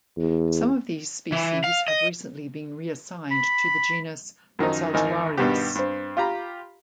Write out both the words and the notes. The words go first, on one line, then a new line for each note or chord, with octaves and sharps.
Some of these species have recently been reassigned to the genus "Saltuarius".
E2
E3
F5
D#5
B5
F#2 D#3 F3 D#4
G#1 E2 D#4 A#4 G#5
G2 B2 D#3 B3 F#4 G4
G2 C4
F4 G4 A#5 B5